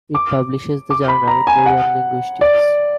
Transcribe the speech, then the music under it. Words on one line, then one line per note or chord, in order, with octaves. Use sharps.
It publishes the journal "Korean Linguistics".
D6
D6
B5
A#5
G#5
F#5
D5